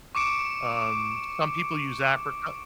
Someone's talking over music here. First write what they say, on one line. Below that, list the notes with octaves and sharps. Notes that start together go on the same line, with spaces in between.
Um, some people use apricot
C#6 D6 C#7 D7 E7